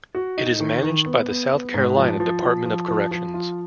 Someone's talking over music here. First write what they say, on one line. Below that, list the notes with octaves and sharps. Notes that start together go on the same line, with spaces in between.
It is managed by the South Carolina Department of Corrections.
F#4
D#4
D#3
D#3
B3
B3
B3
G#2
F3
F3
F3
F3
F3
F3
F4